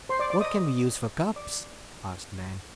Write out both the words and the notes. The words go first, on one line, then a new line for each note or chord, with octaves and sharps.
"What can we use for cups?" asked Nan.
C5 C6
D5 D6
D5 D6
D#5 D#6
D5 D6